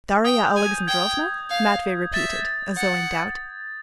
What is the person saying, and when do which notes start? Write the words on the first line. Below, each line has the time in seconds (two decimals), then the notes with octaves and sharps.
"Darya Alexandrovna?" Matvey repeated, as though in doubt.
0.24 G5 D#6
0.45 G6
0.56 G#5
0.66 G#6
0.87 G5 G#6
1.50 F5
2.13 E5 A6
2.77 F#5